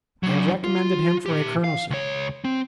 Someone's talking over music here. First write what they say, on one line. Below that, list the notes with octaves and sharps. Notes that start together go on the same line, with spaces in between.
I have recommended him for a colonelcy.
F#3 D4
F4
A#2 G4
F5
C#2 C#5
C4